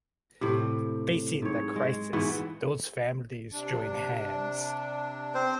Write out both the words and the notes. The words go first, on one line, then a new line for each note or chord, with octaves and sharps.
Facing the crisis those families join hands.
A2 C3
G#2 C#5
G#3
G#2 E3 B3 F#4
C3 D4
C4 C5